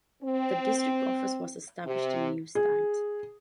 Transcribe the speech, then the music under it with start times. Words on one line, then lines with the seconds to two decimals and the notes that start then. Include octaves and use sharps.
The district office was established in Neustadt.
0.23 C4
1.86 C3
2.55 G#4